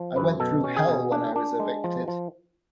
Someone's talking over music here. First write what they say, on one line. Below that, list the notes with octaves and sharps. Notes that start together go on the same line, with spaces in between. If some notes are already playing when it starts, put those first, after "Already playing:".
I went through hell when I was evicted.
Already playing: F3
F#2 B4
B2 A4
C#4
G#4
B2
D4
D4
G#3
F3
F3